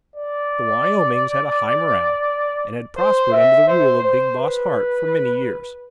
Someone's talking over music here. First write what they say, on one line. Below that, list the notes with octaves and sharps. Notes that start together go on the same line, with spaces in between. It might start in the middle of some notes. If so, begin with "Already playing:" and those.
The Wyomings had a high morale, and had prospered under the rule of Big Boss Hart for many years.
D5
C5
E5
C5
C5
B4